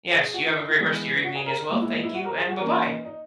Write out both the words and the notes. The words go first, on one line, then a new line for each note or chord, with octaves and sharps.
Yes. You have a great rest of your evening as well. Thank you, and buh-bye!
G#4
F#4
E4
D#4
E4
E3 G#3 B3
F#4
G#4
A#4
A#4
A#2 G#3 B3 D#4
E4
D#4
E4
F#4
A#4
G#4
F#4
E3 A#3 C#4 A#4
F#4
D#4
D#4